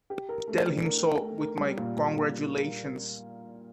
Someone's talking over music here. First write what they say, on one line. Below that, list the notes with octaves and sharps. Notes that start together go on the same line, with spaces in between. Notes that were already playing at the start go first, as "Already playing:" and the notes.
Tell him so, with my congratulations.
G4
A#4
A3
D4
A#4
A#4
A3
A#4
G3
A#2
A#2
A#2